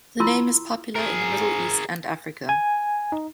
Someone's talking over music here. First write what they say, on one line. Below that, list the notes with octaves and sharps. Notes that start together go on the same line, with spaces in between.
The name is popular in the Middle East and Africa.
E4 F4 A#5 C6 E6
G#4 A#4
G#5
D#4